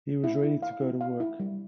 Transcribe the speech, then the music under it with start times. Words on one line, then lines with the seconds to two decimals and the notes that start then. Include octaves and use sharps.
He was ready to go to work.
0.24 E4
0.43 E4
0.62 F5
0.82 E4
1.01 F5
1.20 E4
1.40 G3